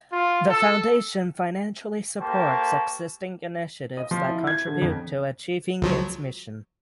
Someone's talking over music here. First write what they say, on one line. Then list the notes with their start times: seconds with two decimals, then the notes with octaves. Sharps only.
The foundation financially supports existing initiatives that contribute to achieving its mission.
0.13 F4
0.49 A4
2.20 A#3 G4 A4 C5 A5 C#6
3.97 D#5
4.11 F3
4.29 E4
4.47 G#6
4.67 D3
4.82 F2
5.82 C#2 F3 F#3